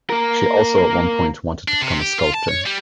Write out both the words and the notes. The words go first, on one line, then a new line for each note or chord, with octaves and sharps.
She also at one point wanted to become a sculptor.
A#3 A#4
D4
C3
G4
F4
A5
C#5
G3